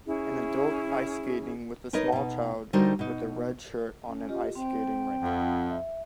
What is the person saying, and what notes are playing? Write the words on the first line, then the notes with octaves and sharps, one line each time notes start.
An adult ice skating with a small child with a red shirt on an ice skating rink.
C#4 E4 G#4
D#4 A#4 B4 C#5 D#5
B2 D#4
D3 G3 D#4 F#4 A#4 C5
B2 D#4
C#4
F4 G4 D#5
C4 C5 G5
F2 F#5
E5